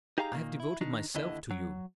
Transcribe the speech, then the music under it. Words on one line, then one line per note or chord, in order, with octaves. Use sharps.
I have devoted myself to you.
D#4 G4 G#4 F5 A5 A#5
A#2 D#3 A#3
E4
D#3 D4 D#4
D#2 D3 E4 D#5
F#3